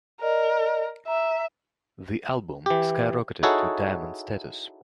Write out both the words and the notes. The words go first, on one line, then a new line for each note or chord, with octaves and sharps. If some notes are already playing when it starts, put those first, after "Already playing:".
The album skyrocketed to Diamond status.
A#4 D5 D#5
E5 A#5
E3 G4
D#4 E4 F#4 G#4 A4 C#5